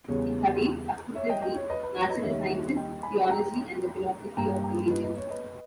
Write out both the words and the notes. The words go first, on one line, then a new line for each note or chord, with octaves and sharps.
He studied, successively, natural sciences, theology and the philosophy of religion.
E2 C#3 G3 B3 C#5
C#5 E5
D#5 G5
D#5 G5
C#5
B4 D#5
B4
C#5
B4 D#5
D#2 D#3 G3 C#5 E5
D#5 G5
G#5 B5
G5 A#5
G2 G3 A#3 G5 A#5
G5 A#5
B4 D#5
B4 D#5
C#5
B4 D#5